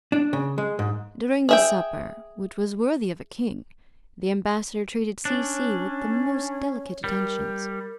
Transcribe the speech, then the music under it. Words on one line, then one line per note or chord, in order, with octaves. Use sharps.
During the supper, which was worthy of a king, the ambassador treated C- --- C---- with the most delicate attentions.
D4
C#3
G#3
G#2
G#4 E5 G5
C#4 D4 C#5
G3 A#4